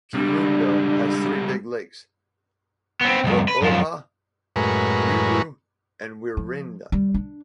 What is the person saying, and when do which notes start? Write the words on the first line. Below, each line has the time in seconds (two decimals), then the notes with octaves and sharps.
Kirundo has three big lakes: Cohoha, Rweru, and Rwihinda.
0.14 C#2 G3 D4
3.01 B3 C4
3.24 C2 F2
3.48 B4
3.62 F#2 F3
4.56 F#2 A2 G#3 A#4 B4 C#6
6.37 F3
6.92 G3
7.14 D4